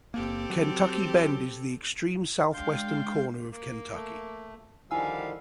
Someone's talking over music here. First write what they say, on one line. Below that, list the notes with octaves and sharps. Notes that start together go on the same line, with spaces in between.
Kentucky Bend is the extreme southwestern corner of Kentucky.
F#1 A#3 C4 G4 A4
F#3
G#3 D4 F5 G5 C6 G6
A#3
A3
D3 D#3 F3 G3 E4 F5 G#5 E6